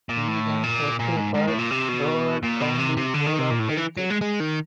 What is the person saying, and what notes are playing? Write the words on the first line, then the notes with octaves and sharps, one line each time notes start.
He then worked for Broward County Board of Health.
A#2
A2
A#2
A#2
G#2
G#2
A2
A#2
C3
B2
A#2
B2
C3
C3
D3
D#3
C3
A#2
A2
D#3
E3
F#3
G#3
G#3
D#3